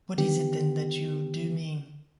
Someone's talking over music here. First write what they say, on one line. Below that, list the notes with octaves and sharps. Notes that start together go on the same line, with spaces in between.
What is it, then, that you do mean?
D3 D#3 B3 G4